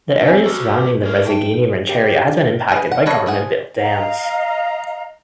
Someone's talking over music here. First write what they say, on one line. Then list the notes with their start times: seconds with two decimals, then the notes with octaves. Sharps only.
The area surrounding the Resighini Rancheria has been impacted by government-built dams.
0.23 C4 C#4 F#5 G#5
0.44 F#4 G4 A4 A#5
1.03 G#3 A#4
1.27 D#4 E5 G5 A5
1.89 G4
2.72 G#4 B4
2.92 F#5
3.06 A4 B4 C#5 D#5
3.26 F3 G#4 F#5
3.83 D#5 F5 A#5